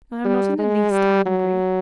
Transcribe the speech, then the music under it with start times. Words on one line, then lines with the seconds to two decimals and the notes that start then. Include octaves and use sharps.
"I am not in the least angry."
0.25 G3
0.58 G#3
0.91 G3
1.26 F#3